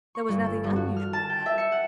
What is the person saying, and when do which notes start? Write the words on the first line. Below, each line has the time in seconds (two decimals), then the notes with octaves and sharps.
There was nothing unusual in that.
0.15 C#6
0.29 G1
0.44 A4
0.64 G2
0.76 F#4
0.96 F6
1.13 A5
1.30 G5
1.46 E5
1.58 C#7
1.72 F#5